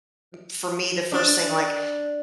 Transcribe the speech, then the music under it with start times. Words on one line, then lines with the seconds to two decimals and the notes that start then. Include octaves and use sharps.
u m for me the first thing, like,
1.12 D4